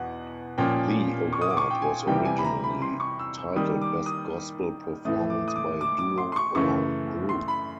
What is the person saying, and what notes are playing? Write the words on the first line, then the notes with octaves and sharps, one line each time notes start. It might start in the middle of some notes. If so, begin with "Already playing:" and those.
The award was originally titled Best Gospel Performance by a Duo or Group.
Already playing: E2 B2 F#5
A#2 F3 A#3 C#4 G5
C#6
D#6
D6
C#6
G5
G#5
C3 E3 G3 G5
G#5
B5
A#5
B5
C6
C#6
E6
E6
D#3 G3 A#3 D#6
D6
D#6
A2 E3 A3 D#6
D6
D#6
D6
D6
D6
C6
C6
C#6
F#2 C#3 E3 A3 C#6
C6
B5